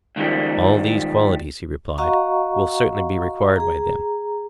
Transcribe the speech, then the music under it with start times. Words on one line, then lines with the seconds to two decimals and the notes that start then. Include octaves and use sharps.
All these qualities, he replied, will certainly be required by them.
0.16 C#2 D#3 F3 G3
1.98 F#4 D#5 F5 F#5 A#5 C#6
3.56 G#4 A#5